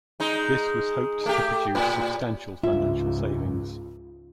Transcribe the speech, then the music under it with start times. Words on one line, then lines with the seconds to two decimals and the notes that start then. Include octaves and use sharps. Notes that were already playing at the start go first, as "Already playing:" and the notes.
This was hoped to produce substantial financial savings.
0.20 G#3 D#4
1.26 A3 G4
1.75 A2
2.64 C#2 G#2 F4 E5